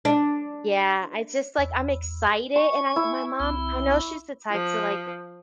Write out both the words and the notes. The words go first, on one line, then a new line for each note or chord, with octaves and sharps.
yeah, I just, like, I'm excited, and my mom, I know she's the type to, like,
D4
E2
G#5 C#6
E4
C2 C4
F3